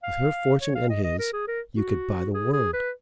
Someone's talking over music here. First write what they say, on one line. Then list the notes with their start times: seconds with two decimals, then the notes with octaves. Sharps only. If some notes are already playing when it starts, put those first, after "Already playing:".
With her fortune and his--you could buy the world.
0.03 F5
0.61 C#5
0.75 F5
0.89 D#5
1.04 D#5
1.19 A#4
1.33 G#4
1.47 A#4
1.76 F#4
2.34 G#4
2.53 G#4
2.73 B4